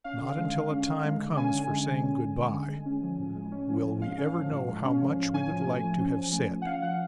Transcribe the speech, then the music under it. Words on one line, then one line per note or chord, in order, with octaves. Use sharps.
Not until a time comes for saying good-bye will we ever know how much we would like to have said.
C#4 F5
D3
G#3
D3
C#4
D3
G#3
D3
C#4 G#5
D3
G#3
D3
C#4
D3
G#3
D3
G#3
C#4
F3
A2
G#3
C#4
F3
A2
G#3 F5
C#4
F3
A2
G#3
C#4
F3
A2
C#4 G#5
F3
A3
F3
C#4
F3
A3
F3
F#5
C#4 F5
F3 F#5